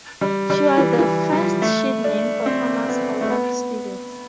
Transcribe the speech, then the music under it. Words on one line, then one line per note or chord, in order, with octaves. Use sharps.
She was the first ship named for Thomas Holdup Stevens.
G3
G3
E3
E3
G3
F3
A3
D4
C4
B3
A3
B3